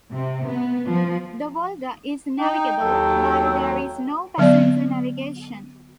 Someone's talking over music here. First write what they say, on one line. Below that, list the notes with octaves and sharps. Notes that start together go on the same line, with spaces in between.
The Volga is navigable, but there is no passenger navigation.
C3
B3
F3
D#4 G5
D#2 F#3 A4
D3 F#3 B3 D5